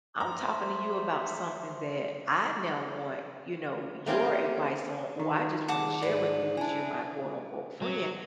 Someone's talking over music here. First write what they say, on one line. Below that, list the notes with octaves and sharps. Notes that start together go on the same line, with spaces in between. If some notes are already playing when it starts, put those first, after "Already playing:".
I'm talking to you about something that I now want, you know, your advice on or I just wanna share with you 'cause you're my quote, unquote, 'friend.'"
F3 A#5
A3 C5
A3 A#3 C4 C#4 G4
D#3
D#2 A2 G#3 F#5 A5 D6
G#2 B4 D5
D4 E4 G#5 A5
F#3